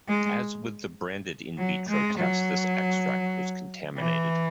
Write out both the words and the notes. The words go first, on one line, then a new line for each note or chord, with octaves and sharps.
As with the branded in vitro test this extract was contaminated.
G#3
F#3
G#3
F#3
E3